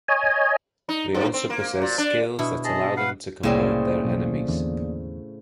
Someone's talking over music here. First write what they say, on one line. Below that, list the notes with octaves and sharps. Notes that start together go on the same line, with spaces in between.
They also possess skills that allow them to convert their enemies.
C#5 D#5 G#5
D#4
G2
C4
A#3
A#2
D4
B2 D4 E4
G#4 D#5 A5
B4 F5 F#5
C2 A2 C#3 A#3 C4 G#4 D5
B1
E2 D3